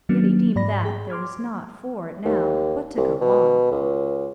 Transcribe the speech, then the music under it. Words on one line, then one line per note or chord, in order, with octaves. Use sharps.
Yet he deemed that there was nought for it now but to go on.
D#3 F#3 A#3 B3 C#4 D4
G#2 D5 B5 A#6
G#4 G5
C6 D6 F6 G#6
D#2
C2
B2
C#2